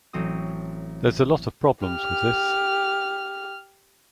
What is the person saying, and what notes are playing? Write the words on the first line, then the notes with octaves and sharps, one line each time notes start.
There's a lot of problems with this.
A1 F#3 C4 F#4 D#6
G4 F6